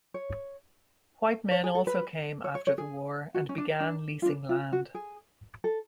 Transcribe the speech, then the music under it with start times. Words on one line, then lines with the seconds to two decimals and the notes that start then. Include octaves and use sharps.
White men also came after the war and began leasing land.
0.14 C#5
1.51 C#5
1.64 G#4
1.75 A4
1.87 B4
2.44 C#5
2.55 C#5
2.67 C#5
2.78 G#4
3.34 F#4
3.49 C#4
3.58 D4
3.80 D4
4.22 F4
4.26 D4
4.49 F4
4.72 F#4
4.95 G#4
5.64 A4